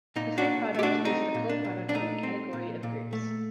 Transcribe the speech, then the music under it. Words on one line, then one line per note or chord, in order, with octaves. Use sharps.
The free product is the coproduct in the category of groups.
A#2 D#4
D4 F#4
A#2
A3 G4
D4 F#4
C4 D#4
A#2
D4
A#2
D4
A3 D#4
C4
A#2
A#2
A3